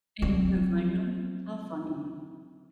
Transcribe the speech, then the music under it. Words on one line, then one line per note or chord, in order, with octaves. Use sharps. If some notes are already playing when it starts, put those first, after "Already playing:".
And you couldn't find ‘em? How funny.
F#3 C4